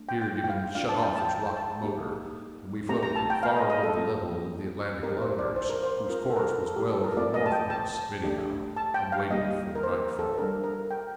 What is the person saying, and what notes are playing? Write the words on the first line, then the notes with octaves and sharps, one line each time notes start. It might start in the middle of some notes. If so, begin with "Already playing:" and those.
Here Gibbons shut off his rocket motor, and we floated, far above the level of the Atlantic liners, whose course was well to the north of us anyhow, and waited for nightfall.
Already playing: A3 D4
G5
G5
G5
F5
A3 D4 F4 F5
A5
G5
A5
G5
A5
A#3 D#4 G4
A3 C4 G4 A#5
A#5
A5
G5
F5
D#5
D#5
A4
A#3 F4
C4 D#4 G4 A#4
C5
D5
C5
A#4
C5
C5
C4 F4 A#4
A4
A#4
A4
G4
A4
A#4
A3 C4 F4 D5
D#5
A5
G5
A5
A3 D4 G4
A5
G5
F5
G3 A#3 D#4 G4 D#5
A#4
C5
A4
G3 D4 G4 A#4
A#4
G5